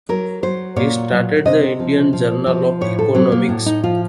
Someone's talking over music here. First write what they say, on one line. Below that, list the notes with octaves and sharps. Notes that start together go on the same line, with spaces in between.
He started the Indian Journal of Economics.
F#3 A#4
F#3 C5
A#2 C#5
F#3
C3 D#5
F3
F3
F3
A2 C#5
A4
F#3 C4
A#3
A2
D#4
F3 F4